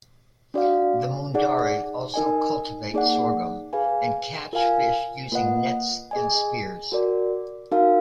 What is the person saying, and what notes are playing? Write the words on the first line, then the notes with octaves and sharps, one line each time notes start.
The Mundari also cultivate sorghum and catch fish using nets and spears.
D4 F#4 D5 F5
D#4 G#4 D5 F#5
D#4 A#4 D#5 G#5
A#3 D#4 G#4 D5 F#5
G#4 B4 F5 G#5
F4 A#4 F5 G#5
A#3 F4 B4 D#5 F#5
G#4 D#5 G#5
F#4 A#4 D5
D#4 F#4 A#4 F5